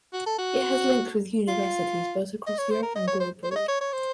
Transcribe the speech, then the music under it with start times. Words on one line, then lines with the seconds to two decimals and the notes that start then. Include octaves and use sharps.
It has links with universities both across Europe and globally.
0.13 F#4
0.26 A4
0.38 F#4
1.48 F4
2.46 D#5
2.58 C#5
2.70 C5
2.83 A#4
2.95 D#5
3.07 C#5
3.20 C5
3.44 C5
3.51 C#5
3.55 D#5
3.68 C#5
3.81 C#5
3.92 C5